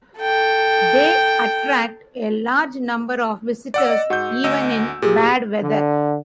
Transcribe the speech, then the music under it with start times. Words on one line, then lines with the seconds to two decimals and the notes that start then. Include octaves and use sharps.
They attract a large number of visitors even in bad weather.
0.19 A4 G5
3.74 D5 F#5 E6
3.90 D#5
4.10 G#2 F#4 F#5 G6
4.44 D2 D#5 E6
5.02 A#2 G4 G#4
5.62 D3